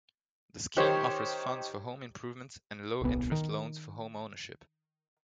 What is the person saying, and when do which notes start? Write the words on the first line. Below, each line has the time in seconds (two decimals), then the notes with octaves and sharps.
The scheme offers funds for home improvements, and low interest loans for home ownership.
0.77 D#3 G4 C5 C#5
3.01 D1 B1 B3
3.32 D#3